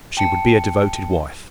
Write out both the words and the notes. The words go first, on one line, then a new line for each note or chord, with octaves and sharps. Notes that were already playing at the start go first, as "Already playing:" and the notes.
She would be a devoted wife.
G5 A5 C#7